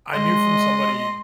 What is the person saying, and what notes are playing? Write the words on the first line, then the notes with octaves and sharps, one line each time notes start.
I knew from somebody,
G#3 D#5 C6